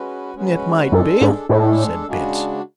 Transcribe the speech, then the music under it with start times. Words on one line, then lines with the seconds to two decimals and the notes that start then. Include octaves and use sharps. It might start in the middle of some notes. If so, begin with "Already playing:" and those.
"It might be," said Bince.
Already playing: G#3 C#4 F#4 B4
0.35 G#3 C#4 F#4 B4
0.92 F#2 G#3 D4 A4
1.21 G#2
1.49 A2 G#3 D4 A4
2.07 C#3 G#3 D4 F#4